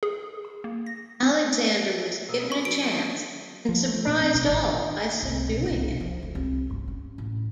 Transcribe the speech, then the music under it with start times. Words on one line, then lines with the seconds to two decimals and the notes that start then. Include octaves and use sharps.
Alexander was given a chance and surprised all by subduing it.
0.03 G#4
0.64 A#3
0.86 A#6
1.23 C4
2.29 B2 A#3 D#5 E6
2.52 D5 B5 C#6
2.65 F#3 F#4 D7
2.82 C4 D#5 A5
3.69 F3
3.88 A3
4.07 A#2
4.21 C4
4.34 B1
4.48 G#1
5.23 C2
5.47 B2
5.66 C2
5.80 B1
6.00 F3
6.23 D2
6.35 C2
6.70 G2
6.88 C#4
7.18 A1